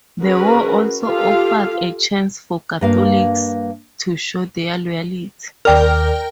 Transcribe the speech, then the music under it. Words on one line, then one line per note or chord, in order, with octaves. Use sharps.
The war also offered a chance for Catholics to show their loyalty.
C#4 F#4 G#4 A#4 B4
F4 G4 A4 F5
G2 A#3 F5
D#2 A#4 D5 G5 F6